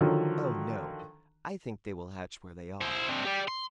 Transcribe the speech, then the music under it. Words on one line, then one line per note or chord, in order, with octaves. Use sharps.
Oh, no! I think they will hatch where they are.
D3 D#3 F3 F#3
E4 C5
C4 D4
G4 D5
C6